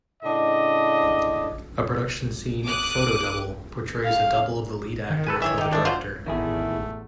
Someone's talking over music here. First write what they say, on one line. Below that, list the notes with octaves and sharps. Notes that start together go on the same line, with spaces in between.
A production scene "photodouble" portrays a double of the lead actor for the director.
A2 C#3 D4 D#5
D6 D#6 F#6
F5
D#3
A4 B4 G#5
E3 D4 C#5 E5
D#4 G4
G#3 A3 D4
F4 F#4 C5
A1 E2 D#3 A3 E4 G#4